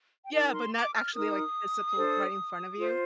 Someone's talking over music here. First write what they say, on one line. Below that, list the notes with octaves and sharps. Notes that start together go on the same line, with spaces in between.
Yeah, but not actually, like, physical right in front of you?
G5
D#4 A#4 A5
C6
D6
F6
D#4 A#4 D#6
D4 A4 C5
F4 C5